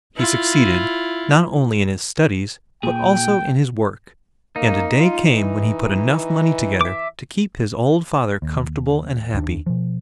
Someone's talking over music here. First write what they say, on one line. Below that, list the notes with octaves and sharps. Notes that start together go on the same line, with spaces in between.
He succeeded, not only in his studies, but also in his work, and a day came when he put enough money together to keep his old father comfortable and happy.
E4 F4
A#2 G#4 G5
A#3 D#4
F4
E3
E5 D6
D#2
D#2 D#3 D4
B2 F3